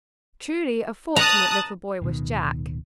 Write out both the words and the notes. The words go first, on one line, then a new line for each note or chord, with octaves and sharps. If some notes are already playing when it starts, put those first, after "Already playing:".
Truly a fortunate little boy was Jack!
A5 A#5 D#6 F#6
D1 B2 D#3